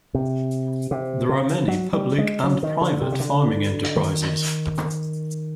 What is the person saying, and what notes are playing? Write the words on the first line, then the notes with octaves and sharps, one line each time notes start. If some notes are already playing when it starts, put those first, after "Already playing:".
There are many public and private farming enterprises.
C3
C3
C#3
F#3
G3
G#3
F#3
D#3
D3
C3
C#3
D3
D#3